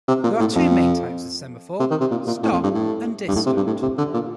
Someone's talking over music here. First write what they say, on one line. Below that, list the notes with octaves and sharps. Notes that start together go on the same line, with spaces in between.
There are two main types of semaphore; stop and distant.
C3
A#2
A2
F2
C3
D#3
C3
A#2
A#2
A2
F2
G2
A2
G2
A2
C3
G2
A2
C3
D3
A#2